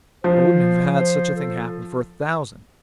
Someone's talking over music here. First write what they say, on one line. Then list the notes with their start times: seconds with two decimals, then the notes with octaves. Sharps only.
I wouldn't have had such a thing happen for a thousand!
0.24 F3 C5
0.98 C5
1.36 A4